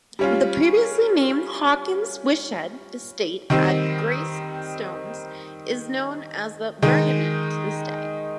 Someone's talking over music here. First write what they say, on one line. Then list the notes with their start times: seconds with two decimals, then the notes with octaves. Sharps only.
The previously-named Hawkins-Whitshed estate at Greystones is known as The Burnaby to this day.
0.19 G3 C#4 F4
3.50 D#3 G3 C4 D#4
6.82 D#3 G#3 D#4